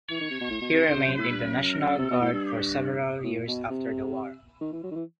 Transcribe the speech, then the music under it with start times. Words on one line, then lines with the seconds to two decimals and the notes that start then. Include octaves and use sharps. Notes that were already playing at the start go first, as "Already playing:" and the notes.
He remained in the National Guard for several years after the war.
0.10 E3
0.21 D#3
0.30 C3
0.41 B2
0.50 A2
0.61 B2
0.73 C3
0.84 D#3
0.96 C3
1.08 F#2
1.18 A2
1.30 G2
1.42 F#2
1.99 C3
2.10 B2
2.21 A2
2.32 G2
3.24 A2
3.48 B2
3.70 C3
4.61 D#3
4.73 E3
4.84 F#3
4.91 D#3
4.96 E3